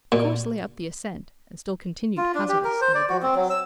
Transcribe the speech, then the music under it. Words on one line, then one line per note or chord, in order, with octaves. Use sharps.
The course lay up the ascent, and still continued hazardous and laborious.
A#2
F4
D4
G4
A#4
C5
D5
F#4
C4
F#3
E6